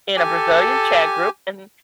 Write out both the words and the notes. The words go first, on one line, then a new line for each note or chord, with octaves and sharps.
in a Brazilian chat group, and
G4 A4 G#5